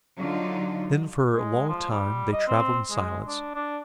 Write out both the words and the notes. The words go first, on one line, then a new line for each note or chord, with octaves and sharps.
Then for a long time they traveled in silence.
D3 F#3 D#4 F4
G#3
F3
G3
D#5
C4
G#3
D4
D4